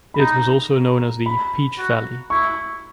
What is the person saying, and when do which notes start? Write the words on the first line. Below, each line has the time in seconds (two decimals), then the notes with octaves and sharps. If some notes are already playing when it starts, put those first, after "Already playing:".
It was also known as the "Peach Valley".
0.14 B5
0.20 D#4 A#5
1.26 B5
1.78 F#4
2.30 E4 C#6